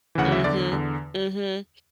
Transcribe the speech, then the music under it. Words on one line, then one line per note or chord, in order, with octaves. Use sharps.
Mhm. Mhm.
D2 C#3 E3 F#5
E5
E2 D3 D5
E2 D3